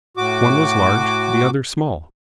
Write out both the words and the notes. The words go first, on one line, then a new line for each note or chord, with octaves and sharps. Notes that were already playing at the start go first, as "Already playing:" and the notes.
One was large, the other small.
A2 F#4 D6